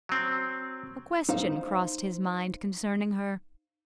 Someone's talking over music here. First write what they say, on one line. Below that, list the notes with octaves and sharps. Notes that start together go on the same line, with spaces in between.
A question crossed his mind concerning her.
F#3 C4
D#4 C5 F5